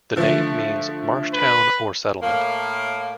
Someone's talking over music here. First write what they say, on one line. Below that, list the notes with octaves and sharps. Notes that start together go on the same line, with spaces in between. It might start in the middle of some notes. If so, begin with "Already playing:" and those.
The name means 'marsh town or settlement'.
D3 F3 A3
B4
A2 A#3